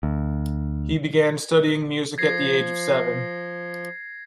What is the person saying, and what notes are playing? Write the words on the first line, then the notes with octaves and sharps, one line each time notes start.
He began studying music at the age of seven.
D2
F3 G#6 A#6 C7